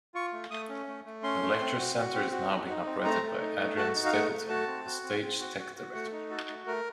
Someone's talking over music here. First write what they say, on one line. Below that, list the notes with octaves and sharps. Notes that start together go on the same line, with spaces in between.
The lecture center is now being operated by Adrian Stapleton, a stage tech director.
F4 C#6
A3
A3 D#6
C#4
A3
A3
C#4 C6
A3
C4
F#4
F#4
C4
F#4
D#4
D#4
C4
A3 A#5
A3
D#4
A3
F#4 A5
D#4
F5
A3 F#5
A3
F#4 A5
C4
F#4
C4
C4
F#4
F#4
F#4
A3 F#5
D#4
F#4 A4
A3
A3 A#4